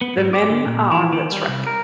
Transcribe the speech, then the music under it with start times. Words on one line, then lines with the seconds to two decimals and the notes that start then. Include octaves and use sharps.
The men are on the track.
0.01 B3
0.17 G#2
0.33 D5
0.50 D3
0.66 A#2
0.92 E3
1.13 D#3
1.32 G3
1.48 C2
1.67 A#4